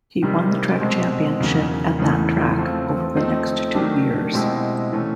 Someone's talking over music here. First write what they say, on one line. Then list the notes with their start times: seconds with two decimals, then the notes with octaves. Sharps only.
He won the track championship at that track over the next two years.
0.22 C3 D#3 G3 C4
0.80 B2 G#3 C4
1.40 E2 C#3 F#3 A#3
1.98 E2 C#3 E3 A3
2.56 F3 A3 C4 F4
3.16 F3 A3 C4 D#4
3.74 D#3 F#3 A3 D4 G4
4.33 B2 G#3 C4 E4 G4
4.93 C3 E3 A3 C#4